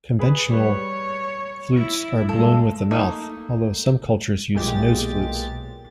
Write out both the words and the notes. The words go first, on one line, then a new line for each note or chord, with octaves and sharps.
Conventional flutes are blown with the mouth, although some cultures use nose flutes.
G#4 B4 B5
G3 B4 C#5
E4
G2 G#3 A4
A3 A#3 D#4
B1 A#2 G#3 G4 A6